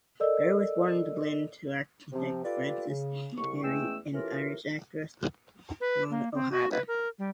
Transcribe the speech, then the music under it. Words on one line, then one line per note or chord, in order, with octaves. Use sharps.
Barry was born in Dublin to architect Francis Barry and Irish actress Joan O'Hara.
A4 A#4 D5 D#5 E6
C3 F3 C4
F4 G4 A4 B4 D5
C#3
C2 C#3 C#6
E2 G#3 A3 C#4 G5 E6
E3 C#4 F4 G4 A4 A#4
B4
A#3
C4
F#4
B4
A#4
G3